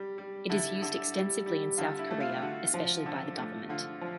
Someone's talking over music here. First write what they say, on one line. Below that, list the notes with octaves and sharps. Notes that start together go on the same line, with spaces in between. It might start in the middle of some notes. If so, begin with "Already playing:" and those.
It is used extensively in South Korea, especially by the government.
Already playing: G3
G3
D3 E4
D3
G3
G3
D3 F4
E4
A3
F4
D3 F#4
F3
D3
A3
D3 F4
F3